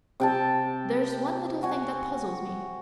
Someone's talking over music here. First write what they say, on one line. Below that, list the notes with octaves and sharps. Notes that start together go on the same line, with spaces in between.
But there's one little thing that puzzles me.
C3 G5 A5
F#4 G#5